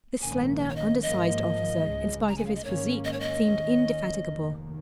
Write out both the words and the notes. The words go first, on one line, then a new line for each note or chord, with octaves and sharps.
This slender, undersized officer, in spite of his physique, seemed indefatigable.
A#1 G#2 D#3 A#3 C#4 G#5
C#5
D#5
G#1 G#2 F3 A#3 D#5
C#2 C#3 G#3
A#5
G#5
F5
D#5
G#1 G#2 D#3 A#3 C#4 C#5
D#5
C#5
D#5
D#2 D#3 C#4
F1 D#2 D#3 A#3